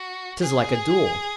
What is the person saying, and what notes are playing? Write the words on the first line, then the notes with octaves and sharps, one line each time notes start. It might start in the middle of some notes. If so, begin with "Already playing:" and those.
'Tis like a duel.
Already playing: F#4
G#4